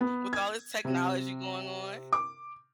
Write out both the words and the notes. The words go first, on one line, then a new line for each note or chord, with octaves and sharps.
with all this technology going on.
B3
G#6
C3
D6